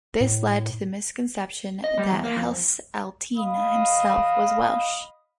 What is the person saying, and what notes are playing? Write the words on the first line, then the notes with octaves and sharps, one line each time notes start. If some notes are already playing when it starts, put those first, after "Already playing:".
This led to the misconception that Heseltine himself was Welsh.
A2
D#5
G3
E2
A#3
F2
D#5 F5 B5 D#6